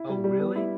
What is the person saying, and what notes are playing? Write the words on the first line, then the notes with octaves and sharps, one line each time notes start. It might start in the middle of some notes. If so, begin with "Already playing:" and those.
Oh, really?
Already playing: E4
G3
G3
B3
E4